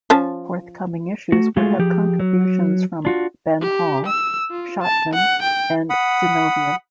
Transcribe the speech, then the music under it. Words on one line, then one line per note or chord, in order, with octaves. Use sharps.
Forthcoming issues would have contributions from Ben Hall, Shachtman, and Zinoviev.
F3 C#4 A5
A3 F#4
G#3 A3 F4 F#4 G#4
F3 G4 G#4
F#3
D4 F4 F#4
G4
E6
F4
A5
F#5
G5
F#5 B5 D#6